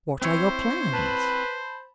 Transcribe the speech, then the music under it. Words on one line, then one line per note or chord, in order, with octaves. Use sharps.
What are your plans?
C4 E4 C5 C#5
B4 A5 B5